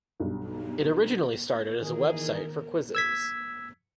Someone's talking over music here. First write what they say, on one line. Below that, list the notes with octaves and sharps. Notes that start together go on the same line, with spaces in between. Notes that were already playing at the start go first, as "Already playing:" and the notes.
It originally started as a website for quizzes.
B1 G2
D#3 E3 D#4 G#4 A#4
E6 G#6 B6